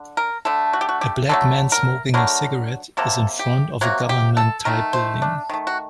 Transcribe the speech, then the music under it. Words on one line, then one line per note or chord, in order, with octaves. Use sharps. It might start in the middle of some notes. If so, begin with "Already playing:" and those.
A black man smoking a cigarette is in front of a government type building.
Already playing: D3
A#4
D3 A3 A4
F#4
G4
F#4
G4
D3 F#3 A3 A4
A#4
D3 F#3 A3 A#4
C3 F#3 A#3 A4
G4
C3 F#3 A#3 F#4
G4
A4
D#3 A3 A#4
C5
D4
D#3 A3
F#4